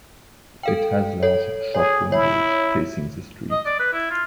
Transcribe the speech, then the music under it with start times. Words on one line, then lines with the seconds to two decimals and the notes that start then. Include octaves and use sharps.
It has large shop windows facing the street.
0.63 A4 F5 G5
1.23 A4 C#5
1.74 G#4 C#5
2.12 E4 C#5
3.51 D#5
3.66 D5
3.79 B4
3.93 E4
4.11 F4